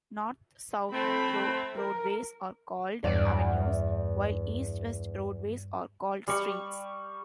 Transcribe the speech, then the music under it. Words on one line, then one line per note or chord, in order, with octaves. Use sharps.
North-south through roadways are called "avenues", while east-west roadways are called "streets".
A3 C4 B5
A#4
E2 G2 D5 D7
G3 C#6